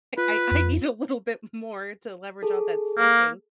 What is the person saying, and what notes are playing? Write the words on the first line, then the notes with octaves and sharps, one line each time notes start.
I I need a little bit more to leverage out that sucking."
F4 B4
F2
G#4 A4
A#3